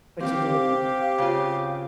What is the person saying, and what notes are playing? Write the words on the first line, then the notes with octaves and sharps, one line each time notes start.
But you didn't.
C4 G4 F5
C#3 F4